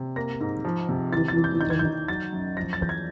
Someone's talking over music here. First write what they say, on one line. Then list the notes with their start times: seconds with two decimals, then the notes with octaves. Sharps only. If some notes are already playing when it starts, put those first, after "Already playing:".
Could You Be the One?
Already playing: C3
0.16 A#3 A#6
0.40 G#2
0.65 F3
0.89 C3
1.12 E3 A6
1.28 A6
1.36 E3
1.44 G6
1.61 D#3 G6
1.70 G#6
1.79 G6
1.85 D#3
2.08 F#3 A6
2.32 F#2
2.56 F3 A#6
2.73 A6
2.81 E2 G6
2.89 G#6